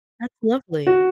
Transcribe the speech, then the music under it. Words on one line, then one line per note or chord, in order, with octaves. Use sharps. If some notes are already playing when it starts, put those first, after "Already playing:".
That's lovely.
F#4